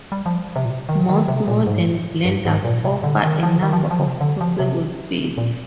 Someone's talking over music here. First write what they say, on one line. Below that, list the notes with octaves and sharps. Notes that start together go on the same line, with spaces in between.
Most modern blenders offer a number of possible speeds.
G3
F3
C3
A#2
C3
D#3
F3
D#3
C3
A#2
G#2
G2
G#2
A#2
C3
D3
D#3
F3
D3
D#3
F3
D#3
F3
D3
C3
D3
F3
C3
A#2